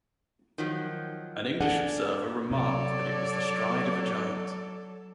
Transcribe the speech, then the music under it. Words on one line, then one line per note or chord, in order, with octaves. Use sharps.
An English observer remarked that it was the stride of a giant.
D#3 F3 F#3
D4 G#4 A4 F#5
C3 F#3 A4 C#5 D5